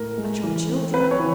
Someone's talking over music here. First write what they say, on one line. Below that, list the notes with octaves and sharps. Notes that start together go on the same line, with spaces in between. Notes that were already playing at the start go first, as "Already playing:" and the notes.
"But your children?"
Already playing: A2 A#4
G#3
E3
C4
C4 B4
C#5
E3